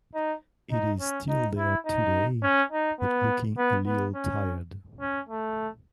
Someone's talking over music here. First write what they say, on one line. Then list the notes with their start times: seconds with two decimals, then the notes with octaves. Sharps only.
It is still there today, but looking a little tired.
0.15 D#4
0.72 D#4
1.00 C#4
1.29 D#4
1.57 E4
1.86 D#4
2.43 C#4
2.72 D#4
3.00 B3
3.58 B3
3.86 B3
4.15 C#4
5.00 C#4
5.29 A3